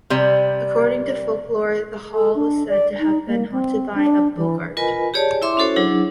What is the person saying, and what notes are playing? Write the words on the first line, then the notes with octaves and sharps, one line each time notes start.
According to folklore, the hall was said to have been haunted by a boggart.
C3 G3
A4
D4
D5
D#4
A#3
C4
D4
E3
F4 A#4 B4 D#5 G#5 B5
G4 G#4 C#5 D5 A5
E4 C#5 E5 C6 D6
C#4 E4 F#4 A4 C5 C#5
F#3 D4 E4 G#4